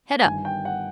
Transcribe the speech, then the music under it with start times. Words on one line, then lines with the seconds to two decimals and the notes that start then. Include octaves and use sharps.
Head up!
0.24 G1 G2 D#3 G#5
0.45 G5
0.65 F#5